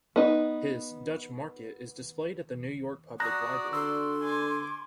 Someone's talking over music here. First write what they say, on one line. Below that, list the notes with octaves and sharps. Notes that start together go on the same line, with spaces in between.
His "Dutch Market" is displayed at the New York Public Library.
B3 D#4
F#4 D5 A#5 D#6 F#6 A#6
D3 C6 E6
G#5 D6